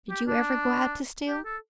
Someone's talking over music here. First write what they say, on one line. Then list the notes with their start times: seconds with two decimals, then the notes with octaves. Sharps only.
"Did you ever go out to steal?"
0.10 G4
0.27 D4
1.28 G4
1.45 A4